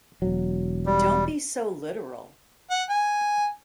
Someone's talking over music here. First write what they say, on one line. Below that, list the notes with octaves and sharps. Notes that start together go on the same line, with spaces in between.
Don't be so literal.
E1 F#3
G3
F#5
G#5